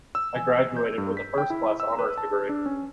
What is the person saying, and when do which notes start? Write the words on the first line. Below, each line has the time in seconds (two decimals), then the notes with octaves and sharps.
I graduated with a first class honours degree.
0.15 E6
0.36 G#5
0.77 G6
0.98 G2
1.17 B6
1.38 G5
1.50 E4
1.80 E6
1.99 B4
2.18 A5
2.49 D4
2.66 C#4